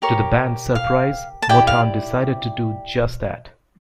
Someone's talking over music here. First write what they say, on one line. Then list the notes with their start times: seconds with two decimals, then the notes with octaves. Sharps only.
To the band's surprise, Motown decided to do just that.
0.02 G4 A#4 C#5 C#6
0.75 F5
1.42 A5
1.49 E4 G4 D5 G5
1.67 F5